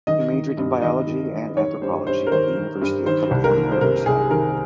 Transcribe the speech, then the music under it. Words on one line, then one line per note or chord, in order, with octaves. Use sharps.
He majored in biology and anthropology at the University of California, Riverside.
D#3 D#5
D#3
G2
D#3 D#5
D#3
D#3
D#3 C#5
G2 C5
G2 C5
A#4
D#3 C5
D#3
G2
D#3 C5
C2
A#4
D#3
C5
C3 A#4
C2 G#4
D#3 A#4